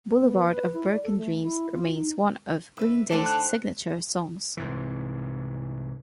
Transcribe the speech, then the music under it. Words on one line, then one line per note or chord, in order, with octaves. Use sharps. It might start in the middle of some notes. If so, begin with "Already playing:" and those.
"Boulevard of Broken Dreams" remains one of Green Day's signature songs.
B3
B4
E4
D5
A4
A3
E4
F4
D#4
D3 B4 E5
D#3 A3 D4 A4 C5
F#6
C2 G#2 E3